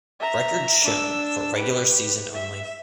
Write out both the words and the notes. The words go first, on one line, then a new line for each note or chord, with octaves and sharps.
Records shown for regular season only.
E5 A#5
D4 E6
G4 B4
E5